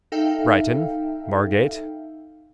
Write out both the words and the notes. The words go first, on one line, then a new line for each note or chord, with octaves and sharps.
Brighton, Margate.
D#4 A4 E5 F5 G5